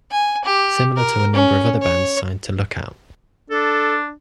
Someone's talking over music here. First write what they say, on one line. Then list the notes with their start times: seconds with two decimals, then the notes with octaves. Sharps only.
Similar to a number of other bands signed to Lookout!
0.11 G#5
0.45 G4
0.96 A#4
1.34 C#4
1.81 C#5
3.50 D4 A4